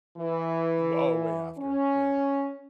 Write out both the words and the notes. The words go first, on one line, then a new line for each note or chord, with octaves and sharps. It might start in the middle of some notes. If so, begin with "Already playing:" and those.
W oh, way after. Yeah.
E3
C#4